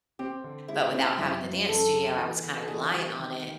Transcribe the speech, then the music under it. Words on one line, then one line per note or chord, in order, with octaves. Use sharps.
But without having the dance studio, I was kinda relying on it,
C4 G4
D3
G#3 E4
C4 E4
F#2 E4
F#2
F#2 A4
C#3
E3
B3
A4
E3 G#4
G3 F#4
D#3
D#3